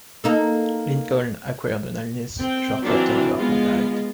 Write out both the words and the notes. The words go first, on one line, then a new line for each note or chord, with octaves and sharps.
Lincoln acquired an illness shortly after birth and died.
A#3 D#4 A4
C4 G5
E3 F#3 C4 D4 F4 F#4
G#3 B3 F4